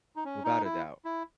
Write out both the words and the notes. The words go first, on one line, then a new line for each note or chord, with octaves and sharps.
Without a doubt.
D#4
C#4
D#4
E4
E4